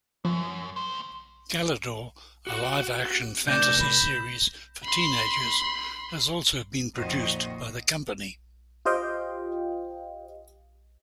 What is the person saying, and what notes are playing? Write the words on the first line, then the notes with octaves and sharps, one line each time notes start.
"Galidor", a live-action fantasy series for teenagers, has also been produced by the company.
F#2 F3
D2 C5
F#4 G4 F#5
C3 A3 D4 G6 A#6 E7
B5
B5 C6
F2 A#2 D#3 F#4 C5 D#5
F4 G4 C5 D#5 F5 G5